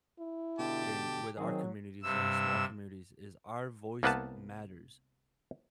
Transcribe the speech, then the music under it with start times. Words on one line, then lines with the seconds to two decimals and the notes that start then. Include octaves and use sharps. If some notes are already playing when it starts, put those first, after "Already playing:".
in with our communities, and our small communities, is our voice matters.
0.20 E4
0.59 B2 D3 G4 A5
1.37 D#3 F#3 C4 G#4
2.03 G2 C3 E6
4.03 C2 A#3 B3 B4 F#5 A5